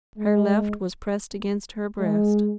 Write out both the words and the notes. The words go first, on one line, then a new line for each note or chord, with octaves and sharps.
Her left was pressed against her breast.
G#3
G#3